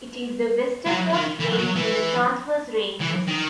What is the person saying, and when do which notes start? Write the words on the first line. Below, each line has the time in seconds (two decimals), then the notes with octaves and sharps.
It is the westernmost range in the Transverse Ranges.
0.87 F#3
1.14 D#3
1.40 E3
1.59 F#3
1.76 E3
3.00 E3
3.27 D#3